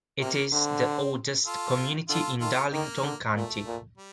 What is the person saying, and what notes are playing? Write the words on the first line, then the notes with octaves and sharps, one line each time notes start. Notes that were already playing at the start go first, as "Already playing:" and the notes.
It is the oldest community in Darlington County.
C3 A#3
D3 C4
F4 A4
D3 F4 A4
D#3 F4 A4
D#3 A#3
D3
A#2 A3
A#2
G3